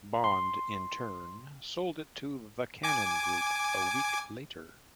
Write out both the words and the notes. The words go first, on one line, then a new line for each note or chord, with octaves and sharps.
Bond, in turn, sold it to The Cannon Group a week later.
C6
G#5 D6